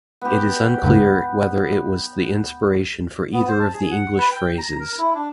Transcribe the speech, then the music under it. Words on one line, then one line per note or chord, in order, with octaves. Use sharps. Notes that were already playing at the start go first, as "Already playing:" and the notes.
It is unclear whether it was the inspiration for either of the English phrases.
B3 G4
C#2 G2 C#3
B3
C5
A5
G#4
F#5
B4
G5
A#5
A#4
E4
D4